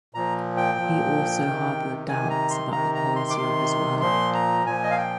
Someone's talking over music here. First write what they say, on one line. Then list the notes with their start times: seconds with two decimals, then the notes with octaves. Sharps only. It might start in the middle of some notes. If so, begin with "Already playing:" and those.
He also harbored doubts about the quality of his work.
0.14 A#2 F3 A#5
0.57 G5
0.78 A#2 F3
1.44 C3 D#3
2.08 C3 D#3 G#5
2.30 A#5
2.50 C6
2.72 C3 D#3 A#5
2.95 A#5
3.16 C6
3.30 D6
3.37 C3 D#3 C6
4.01 A#2 F3 C6
4.34 A#5
4.66 A#2 F3 G#5
4.84 D#5
4.90 F5
4.98 G5